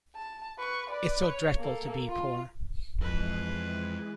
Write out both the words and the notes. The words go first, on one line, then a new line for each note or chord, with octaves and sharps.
It's so dreadful to be poor!
A5
B4 C#6
B4 D5
C#5
A#3 A4
F4
F2 E3 G#3 B4